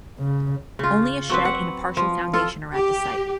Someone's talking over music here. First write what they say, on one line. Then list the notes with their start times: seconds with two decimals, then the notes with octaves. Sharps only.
Only a shed and a partial foundation are at the site.
0.20 C#3
0.79 C#3 F4
1.30 F#3 C4 B4
1.45 F#5
1.97 F3
2.33 F4 A4
2.74 G4